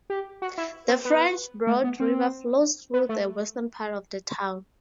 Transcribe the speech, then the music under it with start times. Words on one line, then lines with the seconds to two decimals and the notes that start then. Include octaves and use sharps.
The French Broad River flows through the western part of the town.
0.10 G4
0.42 F#4
0.58 E4
0.88 C4
1.05 B3
1.67 A3
1.84 B3
2.00 C4
2.94 B3
3.09 A3